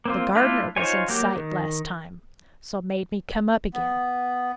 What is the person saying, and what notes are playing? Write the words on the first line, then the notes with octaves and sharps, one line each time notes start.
The gardener was in sight last time; so made me come up again.
A#3 C4 F4
A3 D4 E4 F4 A4
D#4 F4 C5 C#5 G#5
F#3 A#3 G4
D#3
B3